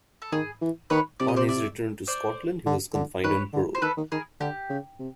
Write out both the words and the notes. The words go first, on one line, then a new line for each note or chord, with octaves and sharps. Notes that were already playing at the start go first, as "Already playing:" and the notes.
On his return to Scotland he was confined on parole.
A4
D#3 G#4
E3
D#3 B4 C#5
C3 D5
D#5
C5 D5
D5 E5
C5 D5
D3
D3
D#3 B4 C#5
D3
C5
D#3 A4 B4
D#3
D#3 G#4 A#4
D3 G4
C#3
C3